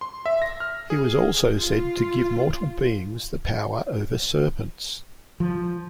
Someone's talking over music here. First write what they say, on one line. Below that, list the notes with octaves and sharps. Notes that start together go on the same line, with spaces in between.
He was also said to give to mortal beings the power over serpents.
C6
E5
A#6
F6
G#4
F4
F3